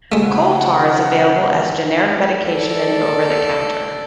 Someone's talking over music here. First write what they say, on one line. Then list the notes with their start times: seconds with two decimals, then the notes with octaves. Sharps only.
Coal tar is available as a generic medication and over the counter.
0.12 C#3 F3 G#3 A3 F#5
2.47 A4 D5